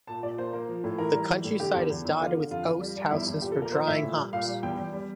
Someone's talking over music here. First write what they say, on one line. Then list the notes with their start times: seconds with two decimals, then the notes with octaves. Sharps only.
The countryside is dotted with oast houses for drying hops.
0.07 A#2 A5
0.23 A#2 D5
0.38 A#3 C5
0.53 A#3
0.69 F3
0.84 A2
0.98 E3 A#4
1.14 G3
1.29 E3
1.44 A2
1.60 D3 G4
1.75 E2
1.90 E2
2.05 E2
2.21 D3 F4
2.36 D3
2.51 F2 F4
2.66 F2
2.81 G3
2.96 G3
3.12 E2 E4
3.27 E2
3.42 A#2 G4
3.52 A4
3.57 A#3
3.62 A#4
3.72 F3 C5
3.87 A2 E5
4.02 A#2
4.18 G3
4.33 A#2 F5
4.48 G3
4.63 E2 G5
4.78 E2
4.93 G3